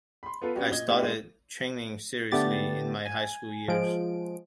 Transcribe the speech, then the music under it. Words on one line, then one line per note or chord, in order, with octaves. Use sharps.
I started training seriously in my high school years.
B5 C6
B3 F4 A4 B4
B3 C#4 D4 F#4 G4
A#2 D#5 G#6 G7
A3 B3 D4 E4 G4
G#3 B3
D3 A3 B3 G4 A6
G#5
F3 G#3 D7